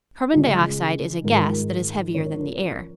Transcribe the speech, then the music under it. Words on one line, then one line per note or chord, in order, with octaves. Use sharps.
Carbon dioxide is a gas that is heavier than the air.
C#3 G#3 F4 G#4 D#5
G#2 D#3 G#3 F4 A#4
F3 C#4 A#4 C#5